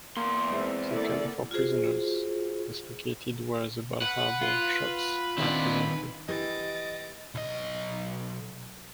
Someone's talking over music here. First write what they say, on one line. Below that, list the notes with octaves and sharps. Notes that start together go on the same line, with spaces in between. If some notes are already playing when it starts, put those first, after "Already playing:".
The camp for prisoners was located where the Bal Harbour Shops are presently.
E2 A#3 C6
G#3 C4 E5
A#3 E4 A4 D5
F4 F#4 G#4 C5
B4 F#5
F4
D#3 C4 D4 D#4 F4
E3 G4 D#5 A6 D7
B1 D#5